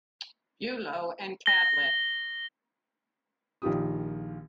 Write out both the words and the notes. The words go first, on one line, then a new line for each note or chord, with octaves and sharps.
Bulo and Cadlit.
A#6 G7
A#1 D#3 F4 G4 D#6